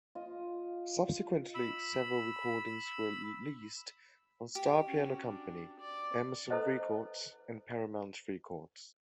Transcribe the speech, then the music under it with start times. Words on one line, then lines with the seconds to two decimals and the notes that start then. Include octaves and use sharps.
Subsequently, several recordings were leased from Star Piano Company, Emerson Records, and Paramount Records.
0.15 F4 D#5
1.54 B5 E6
4.55 G4
4.86 C#4 F#4
5.22 D4
5.79 D5
6.50 E4 A4 B4 C5 D#5 F#5